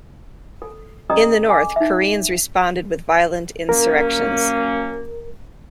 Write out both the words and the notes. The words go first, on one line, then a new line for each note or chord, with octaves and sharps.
In the north, Koreans responded with violent insurrections.
A4
C#4 G#4 D5 D#5 A#5 D#6
A4 G#5 D6
D#4 E5
F#3 A#3 C#4 A#4